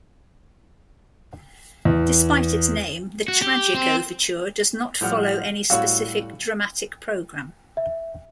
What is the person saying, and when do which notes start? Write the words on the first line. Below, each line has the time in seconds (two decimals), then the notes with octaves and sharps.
Despite its name, the "Tragic Overture" does not follow any specific dramatic program.
1.85 E2
3.28 F#4
3.42 G4
3.74 C4
5.01 A2 F3 G3 F#5 F6 G6
5.70 A2 G3 F#4 C#5 F5 E6
7.77 E5